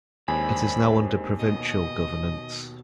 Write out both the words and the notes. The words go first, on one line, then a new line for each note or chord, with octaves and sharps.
It is now under provincial governance.
D#2 G#3 C4 D4 G#5 B5
B2 D#5